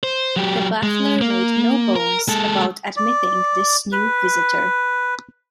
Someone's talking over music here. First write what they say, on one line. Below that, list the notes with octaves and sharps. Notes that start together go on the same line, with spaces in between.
The butler made no bones about admitting this new visitor.
C5
F#3 G4
G#3
A#3
A#4
G#3 A4
D5
B4